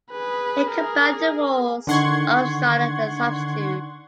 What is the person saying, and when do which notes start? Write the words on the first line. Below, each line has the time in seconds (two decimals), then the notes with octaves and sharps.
He combined the roles of starter and substitute.
0.12 G#4 B4
0.71 G#4 A#4
1.87 D3 D#3 F#5 C6 C#6 G#6